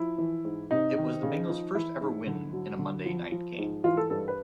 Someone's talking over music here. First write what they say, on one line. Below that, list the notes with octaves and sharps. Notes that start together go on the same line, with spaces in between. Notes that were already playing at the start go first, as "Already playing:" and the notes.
It was the Bengals' first ever win in a Monday night game.
Already playing: F3 E4
E3
G#2
C3 D#4
D#3
C#3
F3
E3 E4
G#2
D3
F#3
D3
F3
F3
G#2
E3 F4
A4
G2 A4
B4